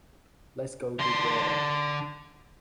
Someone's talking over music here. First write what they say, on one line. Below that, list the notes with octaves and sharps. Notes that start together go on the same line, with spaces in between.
Let's go to Breda.
D3 C6